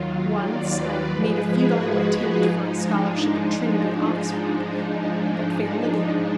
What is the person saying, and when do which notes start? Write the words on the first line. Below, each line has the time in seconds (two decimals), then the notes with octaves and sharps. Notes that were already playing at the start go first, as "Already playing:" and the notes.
Once I made a futile attempt for a scholarship at Trinity, Oxford,--but failed again.
Already playing: D#2 D#3 F#3 F4
0.40 D5
0.75 B4
1.09 G#2 F3 G#3 B4
1.44 G#4
1.77 F#4
2.12 F4
2.46 G#2 F3 G#3 D#4
2.80 D4
3.14 D#4